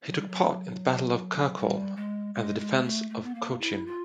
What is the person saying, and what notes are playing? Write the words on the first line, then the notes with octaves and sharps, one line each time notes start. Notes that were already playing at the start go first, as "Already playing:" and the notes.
He took part in the Battle of Kircholm, and the defense of Chocim.
F#3
G3
F#3
G3
G#3
G#3
G#3
A3
A3
B3
A#3
E4
F4